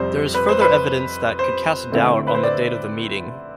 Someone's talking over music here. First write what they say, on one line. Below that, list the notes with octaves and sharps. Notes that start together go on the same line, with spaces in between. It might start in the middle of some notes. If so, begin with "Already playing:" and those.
There is further evidence that could cast doubt on the date of the meeting.
Already playing: F2 C3 G3 C5
B4
C5
B4
C5
D3 A3 C4 E4
B4
C5
D5